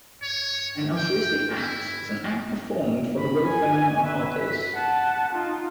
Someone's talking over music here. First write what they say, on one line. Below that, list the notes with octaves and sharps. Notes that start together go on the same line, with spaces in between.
An altruistic act is an act performed for the welfare of others.
C#5
G5
E4
B5
G#5
B4 E5
B6
F#5 A5
D#4 F4